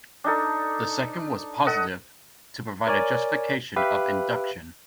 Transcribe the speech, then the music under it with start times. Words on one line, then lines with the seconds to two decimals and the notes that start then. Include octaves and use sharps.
The second was positive - to provide a justification of induction.
0.24 D4 D#4 A4
1.67 A4 D#5 F#5
2.87 A#4 C#5 D5 G#5
3.76 G4 B4 E5 F5